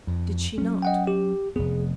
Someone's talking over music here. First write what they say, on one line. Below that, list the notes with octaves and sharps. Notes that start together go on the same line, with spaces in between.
Did she not?
F2
F#3 C#4
D#5 F#5 G5
G4
F1 B3 G#4